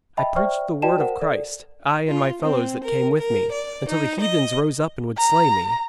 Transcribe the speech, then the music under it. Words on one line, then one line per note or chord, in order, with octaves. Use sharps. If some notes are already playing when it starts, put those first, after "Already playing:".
I preached the Word of Christ, I and my fellows that came with me, until the heathens rose up and would slay me.
D#5 E5 G5 A5 B5
C5 D5 E5 G5 C#6 F6
F#4 D5 D#5 G5 A5 E7
A#4 C5 F#5
A4 D5
F4
C4
A#4
A#4
D5
D#4
D#5
A#5